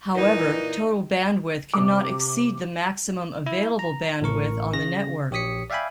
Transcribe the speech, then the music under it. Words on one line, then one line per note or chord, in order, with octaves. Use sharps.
However total bandwidth cannot exceed the maximum available bandwidth on the network.
A#2 E3 D#4
C3 D6
E4
A#5
A1 A2 A#4 C#6
C#3 A#6
A#1 G4 C#5 D#6 B6 C#7
D5 E5 F5 G5 G#5 B5